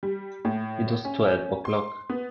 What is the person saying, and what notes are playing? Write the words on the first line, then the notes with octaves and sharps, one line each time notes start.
It was twelve o'clock.
G3
A2
C#4
C6
B3